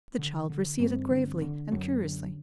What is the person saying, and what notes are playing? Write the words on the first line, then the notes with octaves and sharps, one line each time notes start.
The child received it gravely and curiously.
D3
D3
G2 C4
D3
D3
F#2 C#4
D3